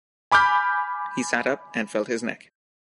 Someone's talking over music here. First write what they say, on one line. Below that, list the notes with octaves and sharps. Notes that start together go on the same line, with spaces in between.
He sat up and felt his neck.
G#5 B5 D6 F6 G6